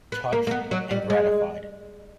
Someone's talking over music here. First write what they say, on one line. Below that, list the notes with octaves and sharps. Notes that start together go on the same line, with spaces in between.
Touched and gratified.
B3
A#3
A#3
B3
F#3
G3
G#3